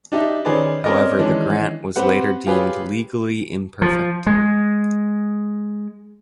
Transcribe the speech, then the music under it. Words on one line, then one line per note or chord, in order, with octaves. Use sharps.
However the grant was later deemed legally imperfect.
D4 D#4 G4 E5
D#3 C#4 G#4 B4 C5 D5
C4 C#4 A#4 D5 D#5
D#3 E3 G#3 C#4 D4
C4 G4 B4 C5 F#5
F4 G4 G#4 B4 C#5
F3
G#3